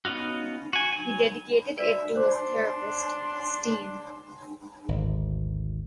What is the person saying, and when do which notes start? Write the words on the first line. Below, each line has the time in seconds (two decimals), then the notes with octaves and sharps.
He dedicated it to his therapist, Stein.
0.05 B3 C#4 D#4 F4 F#4
0.73 F#4 G#5
0.93 F#3 G#5
1.78 F#4 B4 D5 E5
2.16 D4 C5 C6 D6
4.88 G#1 D2